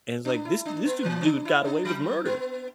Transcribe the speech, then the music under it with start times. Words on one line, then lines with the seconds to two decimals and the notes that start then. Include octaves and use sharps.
and it's like, this this du dude got away with murder
0.25 D4
0.45 E4
0.66 D4
0.85 B3
1.05 E3
1.21 C4
1.25 D4
1.45 E4
1.65 D4
1.85 F#3
2.25 B3